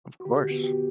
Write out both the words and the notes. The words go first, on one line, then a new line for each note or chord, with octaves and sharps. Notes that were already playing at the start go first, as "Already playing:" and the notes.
Of course.
F#4
D3 G4
F#4
B3
G4